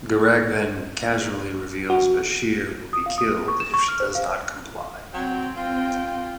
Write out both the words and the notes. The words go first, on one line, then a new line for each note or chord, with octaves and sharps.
Garak then casually reveals Bashir will be killed if she does not comply.
F#4
D#6
F5
D#6
C#6
E7
C#6
F6
C5
F5
F#3 C4 G5
F4 G5